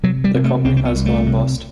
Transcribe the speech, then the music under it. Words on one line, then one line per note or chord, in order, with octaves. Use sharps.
The company has gone bust.
C3 F#3
G3
C3
A3
C2 C4
C4
B3
C2
A3
C3